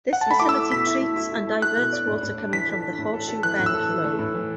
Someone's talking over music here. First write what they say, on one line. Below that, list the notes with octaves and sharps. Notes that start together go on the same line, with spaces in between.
This facility treats and diverts water coming from the Horseshoe Bend flow.
F#5
A5
A3 B5
E4 D6
E6
A3
B2 B6
E4
A3
E4
E4
A3
E4 F#6
B2
D5
A2
A2
D4
E3 B6
A4
D4
A2
A4
A4
E3 F#6
A2
E6
A4
E3
A3
A2
E3